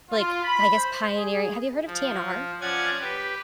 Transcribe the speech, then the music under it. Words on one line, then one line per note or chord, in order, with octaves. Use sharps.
like, I guess, pioneering Have you heard of TNR?
F4
B5
C5
G#4
F3
F3 C#4 D5 F#5 G#5 G#6
G4 B4